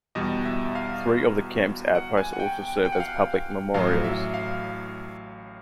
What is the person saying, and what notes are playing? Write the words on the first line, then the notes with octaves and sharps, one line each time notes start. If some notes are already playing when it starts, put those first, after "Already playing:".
Three of the camp's outposts also serve as public memorials.
E2 B2 G3 D#5
E5
F5
F#5
G#5
F#5
G5
G5
G5
F#5
F5
F#5
A1 A2 F#3 F5
E5
F5